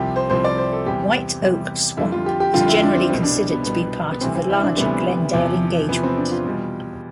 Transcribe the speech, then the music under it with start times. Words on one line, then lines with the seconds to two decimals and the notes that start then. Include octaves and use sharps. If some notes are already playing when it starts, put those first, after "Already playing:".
White Oak Swamp is generally considered to be part of the larger Glendale engagement.
Already playing: C2 C3 F3 G4
0.16 C5
0.30 C2 C3 F3 C5
0.45 D5
0.58 C5
0.73 A4
0.86 E2 C3 G3 G4
1.42 E2 C3 G3
1.97 F2 D3 G3 E4
2.12 F4
2.26 G4
2.40 G4
2.54 F2 D3 G3 F4
2.68 E4
2.82 D4
2.95 C4
3.10 C2 B2 G3 C4
3.23 D4
3.51 B3
3.66 C2 B2 G3 B3
4.12 B3
4.21 D2 C3 E3 G3 C4
4.35 C4
4.50 E4
4.63 D4
4.77 D2 C3 E3 G3 B3
5.33 E2 C3 F3
5.89 E2 C3 F3 B3
6.03 C4
6.17 D4
6.31 F4
6.45 E2 B2 G3